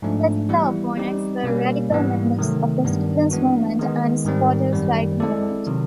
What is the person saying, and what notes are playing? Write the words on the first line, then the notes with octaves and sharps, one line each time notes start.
Particular opponents were radical members of the students' movement and squatters' rights movement.
G#2 F3 A3 D4
E3 G3 B3 E4
G3 C4 D#4 G4
B2 G3 A#3 C#4
G#2 E3 G3 B3
C3 D#3 F#3 A3
G2 D#3 G3 B3
E3 G#3 B3 D4 F#4
D#3 G#3 B3
G#2 D#3 G3 C4
F#2 D#3 G3
G#3 C4 E4 A4 D5
C3 D#3 F#3